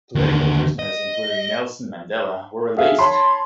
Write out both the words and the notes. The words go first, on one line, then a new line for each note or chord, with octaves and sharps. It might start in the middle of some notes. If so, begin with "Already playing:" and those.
Political prisoners including Nelson Mandela were released.
D#2 D3
D#5
F#4 G#4 A4 E5 F5
C#5 A5 B5 C6